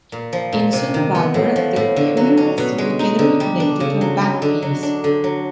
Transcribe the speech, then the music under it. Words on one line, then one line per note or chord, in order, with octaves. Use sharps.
In a suit of armour, the cuirass was generally connected to a back piece.
A#2
F3
A#2
C3
D#3
B3
A2
F3
A2
D3
F#3
C#4
B2
G#3
D#4
D3
G3
D4
C#3
F#3
D#4
D3
F#3
D4
D3
F#3